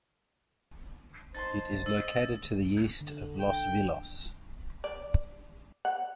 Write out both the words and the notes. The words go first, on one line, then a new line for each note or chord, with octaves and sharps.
It is located to the east of Los Vilos.
D#4 C5 A5 C6 A6
D#5 E6
D3
G5
D5
F#5